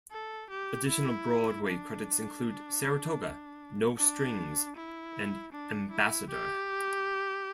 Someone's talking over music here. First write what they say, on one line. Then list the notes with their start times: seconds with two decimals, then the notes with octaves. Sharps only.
Additional Broadway credits include "Saratoga", "No Strings", and "Ambassador".
0.12 A4
0.50 G4
0.89 E4
1.67 D4
3.98 D4
4.76 E4
5.52 D4
5.91 E4
6.30 G4